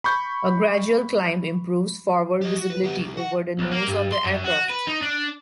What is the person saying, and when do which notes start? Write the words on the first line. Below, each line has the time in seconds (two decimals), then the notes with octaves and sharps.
A gradual climb improves forward visibility over the nose of the aircraft.
0.04 B5 C#6 G6
2.42 G4 D#5
2.56 F#4
2.70 B4
2.83 B3 G4
2.98 C2
3.17 F#4 F#5
3.59 B1
3.72 A#3
3.87 G2
4.12 C6
4.25 F#2
4.44 F#4
4.70 B4
4.87 D#4
5.02 D4